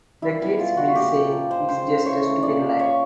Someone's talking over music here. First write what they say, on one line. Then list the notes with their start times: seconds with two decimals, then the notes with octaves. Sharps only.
The kids will say it's just a stupid lie.
0.22 G3 E4
0.41 B2
0.59 G3 F4
0.77 B2 F#4
0.96 A#2 G4
1.15 A#2
1.32 F3
1.51 G#3 C5
1.69 C#3 C5
1.88 C#3
2.06 E3 C#5
2.24 A3
2.42 A#2 D5
2.61 A#2
2.79 F3 C#5